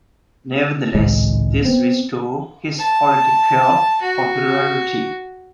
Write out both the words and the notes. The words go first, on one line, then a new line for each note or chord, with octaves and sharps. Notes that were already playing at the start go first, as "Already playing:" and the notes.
Nevertheless, this restored his political popularity.
G#1 C#2 A2 G#3
B3 C4
A5
F#4